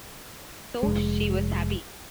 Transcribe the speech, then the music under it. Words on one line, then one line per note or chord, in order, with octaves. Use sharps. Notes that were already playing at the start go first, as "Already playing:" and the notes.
So she was happy.
F1 G#3